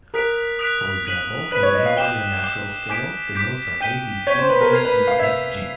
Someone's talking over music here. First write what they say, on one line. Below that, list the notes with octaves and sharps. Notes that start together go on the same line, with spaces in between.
For example, in the "A minor natural scale", the notes are A-B-C-D-E-F-G.
A#4 D#6 F#6 B6 D7 F7
D#6 F#6 B6 D7 F7
F#6 B6 D#7 F#7
B4 F#6 B6 D#7 F#7
C#5
D#5
F5
G5 D6 G6 C7 E7 G7
D6 G6 C7 E7 G7
G#5 D6 G6 B6 D7
D6 G6 B6 D7
G5 G6 B6 D#7 G7
C#5 G6 B6 D#7 G7
C5
B4
A#4
A#4 G#6 C7 F7
B4
F5
E5 G#6 C7 F7